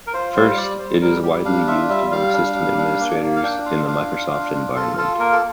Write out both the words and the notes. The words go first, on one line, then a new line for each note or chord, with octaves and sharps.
First, it is widely used among system administrators in the Microsoft environment.
A#4
F4 C5
G3 C5
G3 D5
G3 C5
G3 A#4
G3 G4
D4 F5
F4 E5
G3 E5
G3 F5
D4
G3
D4
A#3
A#3
F5
D4 G5
F4 F5
D4 F5
F4
D4
F4
F4 A4
F4 A4
A#3 A#4
A4